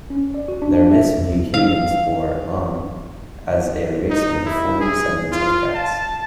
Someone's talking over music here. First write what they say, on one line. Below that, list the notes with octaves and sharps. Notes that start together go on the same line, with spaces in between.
Their myths view humans, or "M'an", as a race of deformed descendants of cats.
C#4
D5
F#4
D4
D4
E5
E2
F5
D#4
E4
G#4
F4
A5